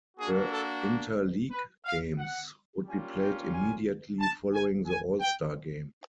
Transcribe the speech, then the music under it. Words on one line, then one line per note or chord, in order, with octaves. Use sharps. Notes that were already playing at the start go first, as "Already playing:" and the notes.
The interleague games would be played immediately following the All-Star Game.
A#3 D4 F#4 G#4
A4
B4
F5
F#5
G3 A#3 C#4 F4 G#5
G5
G#5
A5
G#5
G#5
G5